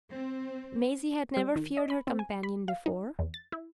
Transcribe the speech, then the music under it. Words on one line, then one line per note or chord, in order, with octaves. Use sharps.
Maisie had never feared her companion before.
C4
G3
D#3
D#5
B5
C4
G#5
B5
F5
D#4
E2
A6
E4